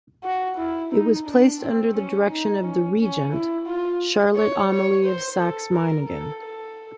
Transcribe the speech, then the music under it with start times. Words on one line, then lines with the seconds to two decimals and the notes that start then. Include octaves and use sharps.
It was placed under the direction of the Regent, Charlotte Amalie of Saxe-Meiningen.
0.24 F#4
0.57 E4
0.92 D#4
1.27 D4
1.61 C4
1.95 C#4
2.30 D#4
2.64 C#4
2.99 C#4
3.33 E4
3.67 F4
4.35 C#5
4.70 C#5
5.04 C5
5.40 A4
5.73 A#4
6.08 A4
6.42 A4